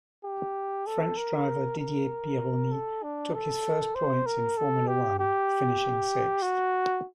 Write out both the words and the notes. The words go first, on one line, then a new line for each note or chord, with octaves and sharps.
French driver Didier Pironi took his first points in Formula One, finishing sixth.
G4
A4
A#4
A#4
A4
D4
A4
C5
A#4
A4
G4
G4
F#4